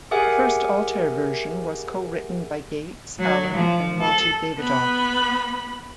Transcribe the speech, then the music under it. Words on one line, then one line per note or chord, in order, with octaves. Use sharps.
The first Altair version was co-written by Gates, Allen, and Monte Davidoff.
G4 G#4 A#4 E5 F#5 G#5
F#3
F3
A4
B3 B5